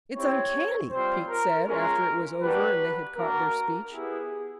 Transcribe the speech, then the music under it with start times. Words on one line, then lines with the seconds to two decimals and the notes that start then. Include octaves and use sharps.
"It's uncanny," Pete said, after it was over and they had caught their speech.
0.16 C4 E4 G4 C#5
0.91 G3 C4 F4 C5
1.29 A#4
1.67 G#3 C#4 F4 A#4
2.42 G3 A#3 D4 F#4 B4
3.18 A#3 D4 F#4 A#4
3.93 B3 E4 G4 G#4